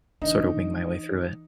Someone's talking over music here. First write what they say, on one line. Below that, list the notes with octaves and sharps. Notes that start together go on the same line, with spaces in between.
sort of wing my way through it.
E3 D4 D#4